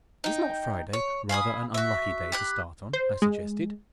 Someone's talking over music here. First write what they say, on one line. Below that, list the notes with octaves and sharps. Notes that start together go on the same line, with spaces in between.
"Is not Friday rather an unlucky day to start on?" I suggested.
D#4 G5
C#5
F5 G#5 B5 D#6
F#4 E5
G4 B5 F#6
C5
G#3